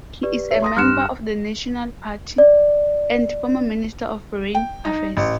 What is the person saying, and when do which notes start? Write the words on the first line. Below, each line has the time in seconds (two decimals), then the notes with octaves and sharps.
He is a member of the National Party, and former Minister of Foreign Affairs.
0.23 G4 B4 D5
0.51 C#5 E5
0.62 C6 D#6 A#6
0.77 G2 G3 C6 F6 F#6 C#7 E7
2.38 D5
4.55 G5
4.85 D#4
5.17 A1